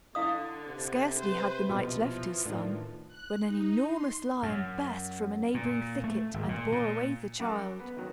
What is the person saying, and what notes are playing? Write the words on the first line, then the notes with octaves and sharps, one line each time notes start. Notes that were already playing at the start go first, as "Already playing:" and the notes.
Scarcely had the knight left his son, when an enormous lion burst from a neighboring thicket and bore away the child.
D3 E4 F5 D#6
C3
B4 C5
A#1 B2 E3 F3 F#4
A2 D#3 D4
F#6
D#4
C6
F#2
A#2
A3
G#1
A#2
A#2
F#2 F#5 D6
B3
D#3 F#3 C#4